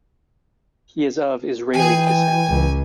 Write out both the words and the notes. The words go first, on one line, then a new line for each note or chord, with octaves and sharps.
He is of Israeli descent.
E3 G#4 G5 G#5
G#5
C#2